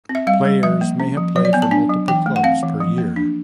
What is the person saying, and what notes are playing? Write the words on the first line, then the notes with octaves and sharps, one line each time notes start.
Players may have played for multiple clubs per year.
C4
E5
G3 F5
G3
F3 E5
A#3
C#4
F3
F#3 C#5
D5
B3 G#5
A5
D4 G#5
F#3
E3 G5
A3
F#5
C4 F5
E3
F3
A#3
D4